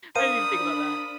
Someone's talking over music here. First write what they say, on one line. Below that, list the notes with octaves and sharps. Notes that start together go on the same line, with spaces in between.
didn't even think about that.
D4 A#4 C5 F5 B5 D#6 D#7